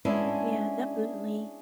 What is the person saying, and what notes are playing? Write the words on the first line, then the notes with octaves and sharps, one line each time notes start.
Yeah, definitely.
G#3 B3 C#4 D4 E4 B4